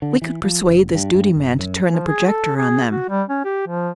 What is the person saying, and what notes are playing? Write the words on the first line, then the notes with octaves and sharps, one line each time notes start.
If we could persuade this duty man to turn the projector on them!
D3
E3
F3
F#1
G2
G2
F#1
F#2
F3
G#4
A4
G#4
F#4
G3
C#4
G4
F3